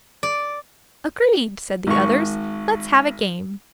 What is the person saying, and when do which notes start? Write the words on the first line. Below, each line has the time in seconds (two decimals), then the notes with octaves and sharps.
"Agreed!" said the others, "let's have a game."
0.23 D5
1.87 G#1 C#6